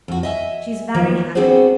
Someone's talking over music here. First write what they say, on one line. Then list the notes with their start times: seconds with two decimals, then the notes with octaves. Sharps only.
She's very happy.
0.08 F2 F#4
0.23 D#5 E5 G#5
0.94 D#3 F3 F#3
1.35 B3 C4 D4 F#4 G#4 C5